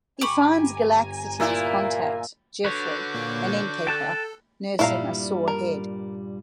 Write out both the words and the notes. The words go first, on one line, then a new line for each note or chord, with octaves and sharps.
He finds Galaxity's contact, Geoffrey, an innkeeper, nursing a sore head.
G1 G4 G#5 A#5 B5 C#6
A#2 A#3 E4 E5
D3 F#4 B4 C#5 D6 G6
A#2 A#3
A4 G5 A5 F#6
G2 A#2 G3 E4 F5 A#5
A#4